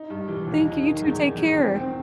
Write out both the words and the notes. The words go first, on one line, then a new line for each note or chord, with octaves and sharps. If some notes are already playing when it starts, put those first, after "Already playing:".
Thank you. You too, take care.
Already playing: D#4
G2
E3
D#2
D#4
D#3
E2
D#3
E2
C4
C4